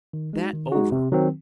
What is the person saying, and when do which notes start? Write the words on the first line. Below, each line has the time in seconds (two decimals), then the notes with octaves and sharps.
That over!
0.13 D#3
0.33 G#3 D#4 F#4
0.53 D#3
0.72 G#3 D#4 F#4
0.92 C3
1.12 D#3 F#3 C4